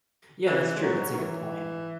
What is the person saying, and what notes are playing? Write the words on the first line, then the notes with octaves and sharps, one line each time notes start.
Yeah, that's true. That's a good point.
E3
G#3
F#3
D#3
E3